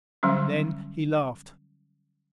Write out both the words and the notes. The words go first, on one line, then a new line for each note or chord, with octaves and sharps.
Then he laughed.
D3 F#3 G3 C#4